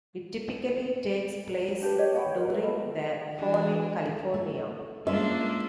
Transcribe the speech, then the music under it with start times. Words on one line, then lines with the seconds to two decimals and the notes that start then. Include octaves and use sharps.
It typically takes place during the Fall in California.
1.82 D4 G4 A4 B4
1.98 G4 C#5 D#5
2.15 C#5 F#5 G5 B5
2.36 A#4 B4
2.49 B4 E5
2.61 F4 A4 D#5 B5
3.38 E3 F#3 D4
4.34 A3
5.07 G#3 A#3 C#4 D4 F4 E5